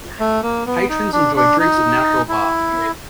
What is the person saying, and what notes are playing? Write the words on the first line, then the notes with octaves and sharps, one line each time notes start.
Patrons enjoy drinks at an outdoor bar.
A3
A#3
B3
D#4
D4
D4
D#4
E4